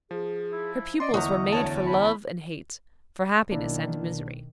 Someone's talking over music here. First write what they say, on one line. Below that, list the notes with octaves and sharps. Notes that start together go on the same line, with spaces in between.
Her pupils were made for love and hate, for happiness and misery.
F3 G#4
E4
C#4 D5 D#5 C6
E2 D3 D#5 A#5 C#6
D2 C#5 A5
B5
B1 D#3 A#3 D4 E4